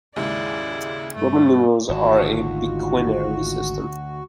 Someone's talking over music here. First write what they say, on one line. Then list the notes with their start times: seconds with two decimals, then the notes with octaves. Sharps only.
Roman numerals are a biquinary system.
0.16 D#2 G#2 C#3 E4 D5
1.15 G2 A3
1.89 G#1 D2 D#4 F4 F#4 A5